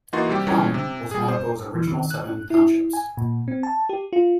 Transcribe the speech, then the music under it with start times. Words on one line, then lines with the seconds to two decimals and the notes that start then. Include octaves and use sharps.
Plum was one of those original seven townships.
0.13 E3 A#3 D#4 F#4 C6 A6
0.29 C3 G3 G4
0.47 E3 G3 G#3 C#4
0.74 C3
1.11 G3 G#4
1.28 C5
1.75 E3
1.87 D#3
2.10 F#6
2.50 E4
2.93 G#5
3.17 A#2
3.48 C4
3.63 A5
3.89 G4
4.13 F4